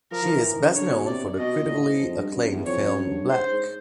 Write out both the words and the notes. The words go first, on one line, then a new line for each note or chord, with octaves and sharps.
She is best known for the critically acclaimed film "Black".
F3 A#4
F3
E3
D#3
C#3
D3 C#5
B2
C3 D5
B2 D#5
A#2
A2
G#2
F2
G2
F#2
E2
F2 C#5
F#2
G2
G2
G#2 C5
G#2